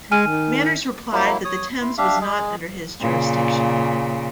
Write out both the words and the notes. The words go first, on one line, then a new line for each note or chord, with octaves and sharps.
Manners replied that the Thames was not under his jurisdiction.
G#3 G#5 F6 D#7
D#3
F#3 A#3 E4
C#5 D#6
E4 C6
D4 G4 E5 F5
G#3 G#4
A#2 C#3